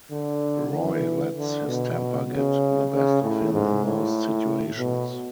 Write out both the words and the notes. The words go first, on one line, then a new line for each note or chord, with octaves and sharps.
Roy lets his temper get the best of him in most situations.
D3
E3
D3
B2
C#3
C#3
A2
G#2
A2
B2